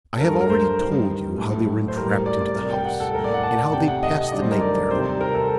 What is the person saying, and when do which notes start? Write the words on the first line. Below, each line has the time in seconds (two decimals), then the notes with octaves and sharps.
I have already told you how they were entrapped into the house, and how they passed the night there.
0.16 A4
0.20 G2 F#3 A3 A#4
0.41 A#4
0.50 C5
0.79 G2 D#3 G3
1.38 A2 F#3 A3
1.88 C5
1.97 A2 G3 A#4
2.26 D5
2.41 D5
2.56 C3 G3 A#4
2.70 G5
2.85 F#5
3.00 A4
3.14 A3 A#4
3.18 A2
3.24 D5
3.34 F#5
3.43 A5
3.73 C3 D#3 A3 G5
3.88 F#5
4.03 D#5
4.17 D#5
4.32 G2 D#3 F#3 A3 D5
4.42 C5
4.52 A#4
4.61 D5
4.76 D5
4.91 C3 D#3 G3 C5
5.21 A#4
5.35 A4